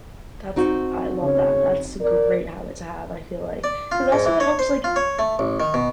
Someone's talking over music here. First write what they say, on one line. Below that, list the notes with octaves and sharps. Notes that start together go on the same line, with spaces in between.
That's I love that. That's a great habit to have, I feel like. 'Cause, also, it helps, like
C4 D#4 F#4
C#3 C#5
A#4 D5
D5
F4
G#2
E3
C#5
C5
F4
C#5
A3
A1
D#3
B2